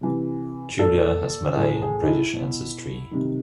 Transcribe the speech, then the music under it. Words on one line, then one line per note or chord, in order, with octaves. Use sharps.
Julia has Malay and British ancestry.
C3 E3
A#2 A4
A2 E3 G#4
G#4
D#4
E4
B2
C3 D#3